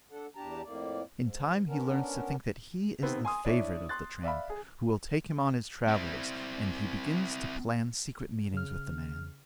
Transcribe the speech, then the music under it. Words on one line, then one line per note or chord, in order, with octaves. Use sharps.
In time he learns to think that he is the favorite of the tramp, who will take him on his travels, and he begins to plan secret meetings with the man.
D4 A4 F#5
E2 D4 G4 A5 A#5
F2 A2 A#3 D5
G#2
B3 C#4 D4 A#4
C3 D#3 B3 C4
G#5 C6 D#6
D4 E4 C#5 D5 E5
C6 F#6 A6
D5 E5 F5 B5
G#4
C4 E4
C#3 F6